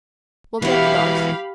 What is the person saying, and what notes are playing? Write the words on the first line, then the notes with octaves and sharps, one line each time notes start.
We'll get the dogs.
E3 B3 E4 F#4 G4 F5 B5